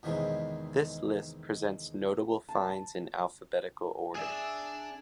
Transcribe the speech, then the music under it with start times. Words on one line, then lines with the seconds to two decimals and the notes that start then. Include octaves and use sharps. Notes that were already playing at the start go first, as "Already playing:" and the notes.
This list presents notable finds in alphabetical order.
0.03 E2 C3 D#3 E3 G#3
2.49 A5
4.15 D4 G#4 D5 E5